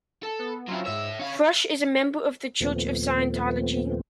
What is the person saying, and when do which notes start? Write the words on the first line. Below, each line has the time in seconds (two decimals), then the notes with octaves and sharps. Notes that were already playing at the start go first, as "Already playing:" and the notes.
Fresh is a member of the Church of Scientology.
0.23 A4
0.39 B3
0.68 F#3 C4 C#4 E4 F4
0.86 G#2 C#5 E5 E6
1.19 C#4 C#5 F5 B5
2.60 D#2 A#2 F3 A3 B3 C4